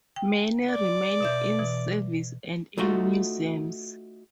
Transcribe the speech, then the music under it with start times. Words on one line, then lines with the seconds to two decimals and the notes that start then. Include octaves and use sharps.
Many remain, in service and in museums.
0.16 G5
0.72 D5
1.21 B2 E5 G6
1.59 B2 E3
2.78 A3 D#4 F4 F#4